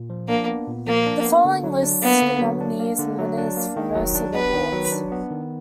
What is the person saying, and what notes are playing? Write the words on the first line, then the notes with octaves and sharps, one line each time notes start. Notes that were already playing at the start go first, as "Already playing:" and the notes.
The following lists the nominees and winners for most of the awards.
Already playing: A#2
F3
A#3 D4
B3
A#2
F3 A#3
D4
B3
D3
F#3
D4
A#3 B3
D3
F#3
D4
A#3
D3
F#3
D4
A#3
D#3
F#3
D4
B3 B4
D#3
F#3
D4
B3
D#3